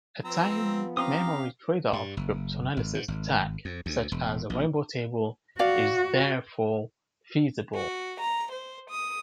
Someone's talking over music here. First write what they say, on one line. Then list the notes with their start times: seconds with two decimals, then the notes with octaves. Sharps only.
A time-memory trade-off cryptanalysis attack, such as a rainbow table, is therefore feasible.
0.25 F3 B3 C4 A#5 E6
0.97 C4 C#4 G4 F5 A#5 C6 D#6
1.93 G2
2.17 F#1
2.77 G#1
2.94 G#2
3.08 G#1
3.65 F2
3.86 D2
4.12 E1
4.50 A#1
5.59 F#4 D5 F5
7.74 F#4
8.20 A#5
8.52 C5
8.90 D#6